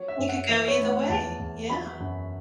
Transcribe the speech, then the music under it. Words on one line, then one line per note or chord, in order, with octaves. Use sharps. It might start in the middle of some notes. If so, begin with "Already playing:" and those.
It could go either way, yeah.
Already playing: F#3 C#5
E5
F#2
F#5
E3 E5
C#5
A2
F#5
E2 A5
E2
F#3 B5
F#2